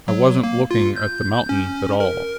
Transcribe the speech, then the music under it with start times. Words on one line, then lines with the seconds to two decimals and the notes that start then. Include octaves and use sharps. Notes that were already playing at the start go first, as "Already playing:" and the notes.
I wasn't looking at the mountain at all.
0.08 F#3
0.43 A#3
0.71 F4
0.96 G6
1.49 C#4
2.00 A#4